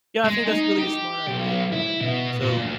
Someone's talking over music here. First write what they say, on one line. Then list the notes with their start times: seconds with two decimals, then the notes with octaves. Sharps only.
yeah, I think that's really a smart idea, um, so,
0.24 G#3
0.47 D#4
0.78 G4
1.27 B1
1.72 E4
2.01 B2
2.41 A#2
2.58 D2